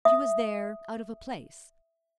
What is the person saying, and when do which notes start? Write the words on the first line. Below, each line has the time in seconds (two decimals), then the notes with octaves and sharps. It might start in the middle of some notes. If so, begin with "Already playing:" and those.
She was there, out of a place.
0.05 E5 D#6